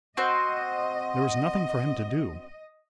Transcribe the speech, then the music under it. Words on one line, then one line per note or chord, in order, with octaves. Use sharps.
There was nothing for him to do.
C4 F#4 C5 D#5